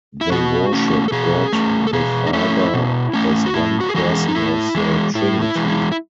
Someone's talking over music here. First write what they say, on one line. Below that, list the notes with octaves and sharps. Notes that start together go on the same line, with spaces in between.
They worship God the Father as one person of the Trinity.
E4
B2 F#4
A3 C#4
A4
B2 G#4
A3 C#4
A4
B2 G#4
D#4
A3 C#4 E4
B2
A3 C#4
F#4
A2 E4
F#4
G#4
E3 G#3 F#4
G#4
D#4
A2 E4
E3 G#3
A2 E4
E4
E3 G#3
E4
E4